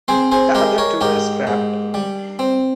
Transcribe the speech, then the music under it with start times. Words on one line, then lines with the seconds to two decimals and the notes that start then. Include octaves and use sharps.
The other two were scrapped.
0.08 C4 G#4 C5
0.32 G#4 C5
0.55 G#3 G4 A#4
0.78 A#4 C#5
1.01 G#2 G4 A#4
1.47 G#2
1.94 G3
2.39 C4